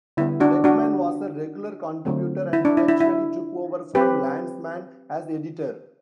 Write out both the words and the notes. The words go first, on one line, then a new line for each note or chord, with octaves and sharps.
Legman was a regular contributor and eventually took over from Landesman as editor.
D3 G3 B3 E4
D4 F#4
D4 F#4
D3 F#3 A3 C4
E4
D4
E4
E4
E4
F#3 C4 G4 B4